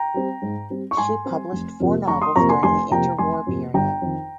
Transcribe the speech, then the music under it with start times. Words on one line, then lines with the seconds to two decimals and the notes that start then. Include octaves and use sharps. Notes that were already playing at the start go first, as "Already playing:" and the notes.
She published four novels during the interwar period.
Already playing: G5 A#5
0.14 G3 C4
0.42 G#2
0.70 G3 C4
0.91 C#6
0.97 G#2 G#5 C6
1.26 G3 C4
1.53 F1
1.80 F2 C3 F3 A#3
2.08 F1 A#5 C#6
2.22 C6 D#6
2.35 F2 C3 F3 A#3 A#5 C#6
2.49 G#5 C6
2.63 F1 G#5 C6
2.91 F2 C3 F3 A#3 G5 A#5
3.18 F1 G#5 C6
3.47 F2 C3 F3 A#3
3.74 G1 G5 A#5
4.02 F2 D#3